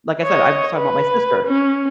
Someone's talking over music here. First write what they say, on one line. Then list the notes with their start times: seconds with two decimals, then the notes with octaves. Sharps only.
like I said, I was talking about my sister.
0.23 C#5 D#5
0.76 B4
1.47 C#4